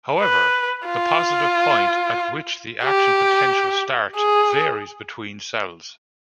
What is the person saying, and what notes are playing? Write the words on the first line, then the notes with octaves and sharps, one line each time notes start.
However, the positive point, at which the action potential starts, varies between cells.
B4
F4
G4
G#4